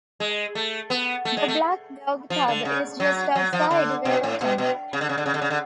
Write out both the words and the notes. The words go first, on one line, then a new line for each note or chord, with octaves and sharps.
The Black Dog pub is just outside Waverton.
G#3
A3
B3
A3
G#3
A3
F3
D3
C#3
F#3
F#3
F3
D3
B2
A2
B2
B2
C#3
D3
C#3
D3
C#3
D3
C#3
D3